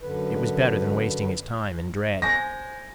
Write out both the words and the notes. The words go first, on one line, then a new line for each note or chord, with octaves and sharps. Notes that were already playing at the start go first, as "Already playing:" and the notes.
It was better than wasting his time in dread.
F#2 D3 B4
C5 G#5 G6 A#6